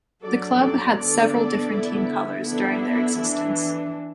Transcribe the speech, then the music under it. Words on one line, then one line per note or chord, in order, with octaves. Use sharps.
The club had several different team colours during their existence.
F#3 D4 A4 D5
A4 D5
D3 B3 D4 A4 D5
D3 B3 E4
D3 B3 D4 E4 A4
E3 D4